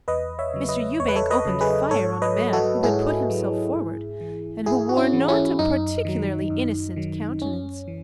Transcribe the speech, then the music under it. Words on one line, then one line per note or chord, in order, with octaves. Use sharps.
Mr. Ewbank opened fire on a man who had put himself forward and who wore not a particularly innocent countenance.
E2 B4 D#5
C#5 E5
C#3 F#3
B4 D#5
E2 C#5
B4
A4 C#5
B4 D#5
C#3 F#3
G#4 B4
G#2 A4 C#5
B4 D#5
F#3
F#4 A4
G#2 E4 G#4
F#3
G#2
E3
G#2 E4 G#4
F#4
C#4 E4
E3
C#4 E4
F#2 D#4
D#3 F#3
F#2
D#3 F#3
F#2 C#4
E3